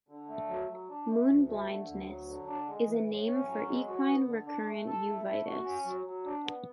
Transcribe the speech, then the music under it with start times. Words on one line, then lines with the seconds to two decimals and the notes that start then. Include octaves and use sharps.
"Moon blindness" is a name for equine recurrent uveitis.
0.09 D3
0.29 A3
0.49 F#3
0.69 F#3
0.89 D4
1.09 A3
1.28 D2
1.48 A3
1.68 D3
1.88 D2
2.08 F#3
2.28 D3
2.47 D4
2.68 G#3
2.87 E3
3.08 A2
3.26 C#4
3.47 F#3
3.67 G#3
3.87 F#4
4.07 B3
4.26 D3
4.46 D4
4.66 A3
4.87 A4
5.06 E4
5.26 A3
5.46 F#4
5.65 C#4
5.85 F#3
6.06 F#3
6.25 D4
6.45 B3